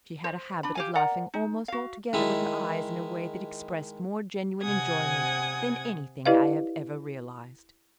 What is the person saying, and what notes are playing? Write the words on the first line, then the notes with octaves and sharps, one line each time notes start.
She had a habit of laughing almost altogether with her eyes in a way that expressed more genuine enjoyment than anything I have ever realized.
C5
D4 B5
G4 F5 G#5
A#4 D5 F#5 A#5
D#4
F#4 F5
D#3 G#3 E4
C3 C4 F#5 G#5 D#6 G#6
E4 G4 B4 D5 D#5 F5